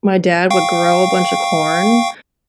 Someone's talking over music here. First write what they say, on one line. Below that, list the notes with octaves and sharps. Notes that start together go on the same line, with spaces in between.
my dad would grow a bunch of corn,
F5 G5 C#6